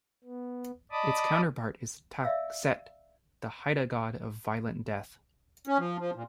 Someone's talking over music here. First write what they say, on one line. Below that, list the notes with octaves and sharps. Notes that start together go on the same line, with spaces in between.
Its counterpart is Ta'xet, the Haida God of violent death.
B3
D5 D#5 A5 B5 D6 D#6
D5 E5 F5 E6
C#4
F3
F3
A#2